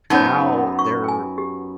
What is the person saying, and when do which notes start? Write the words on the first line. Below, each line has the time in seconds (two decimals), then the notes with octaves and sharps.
now they're
0.10 F#2 B3 D#4 C5 C#5
0.79 C#6
1.04 G5 G#5
1.38 G4